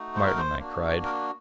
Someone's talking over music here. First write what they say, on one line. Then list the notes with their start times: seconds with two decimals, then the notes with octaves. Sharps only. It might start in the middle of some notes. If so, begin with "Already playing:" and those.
"Martin," I cried.
Already playing: A3 D#4 F#4
0.15 C5
0.27 A#4
0.37 C5
0.59 A#3 D4 F#4
1.04 A#4